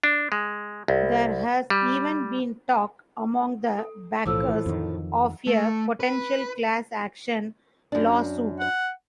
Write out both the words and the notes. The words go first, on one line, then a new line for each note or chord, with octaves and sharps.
There has even been talk, among the backers, of a potential class action lawsuit.
D4
G#3
C2
G3
A4
B1 A2 E3 F3 F4 A4 D6 E6
F2 D#3
A3
B4
F#2 D4
F#5